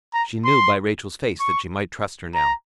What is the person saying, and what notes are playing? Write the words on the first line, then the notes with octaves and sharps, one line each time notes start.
She knew by Rachael’s face that she might trust her now.
A#5
C6
C#6
A#5